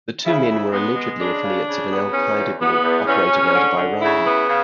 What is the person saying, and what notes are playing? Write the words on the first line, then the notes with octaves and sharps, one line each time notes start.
The two men were allegedly affiliates of an Al-Qaeda group operating out of Iran.
C#3 E4
C#3
G#3 B3
G#3
C#3 D4
C#3
C#3
B3
E2 C#4
E2
E2 B3
E2
E2 C#4
E2
D3
D3
C#3 E4
B3
C#3